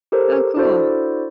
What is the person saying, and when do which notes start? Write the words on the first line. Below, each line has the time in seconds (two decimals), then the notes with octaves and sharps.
Oh, cool.
0.12 G4 A4 A#4 C5 C#5
0.56 D4 E4 F#4 A4 C5 D5